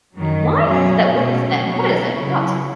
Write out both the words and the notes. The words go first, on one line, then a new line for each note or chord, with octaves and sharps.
Why is that? What is that? What is it? What?
F#2 D#3 F#3
B2 F#3 C#4 G#4
B2 A3 C#4
F#3 B3 F#4 C#5
C#3 F#3 C#4 E4